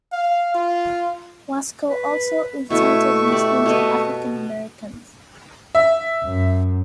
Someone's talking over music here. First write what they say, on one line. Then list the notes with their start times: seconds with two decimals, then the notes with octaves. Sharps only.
Wasko also insulted Muslims and African-Americans.
0.12 F5
0.54 F4
1.89 B4
2.70 B2 A3 E4 F#4 E5 C#6
3.28 G4 D5
3.66 B2 A4 D#5
5.75 E5
6.24 F#2